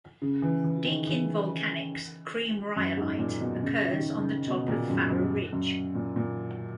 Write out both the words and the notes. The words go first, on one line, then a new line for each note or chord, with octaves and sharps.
Deakin Volcanics cream rhyolite occurs on the top of Farrer Ridge.
C#3
E3
E3
D#3
E3
F#2
G#2
A#2
B2
C#3
D#3
C#3
B2
A#2
F#2
F#2
F#2
A#2
A#2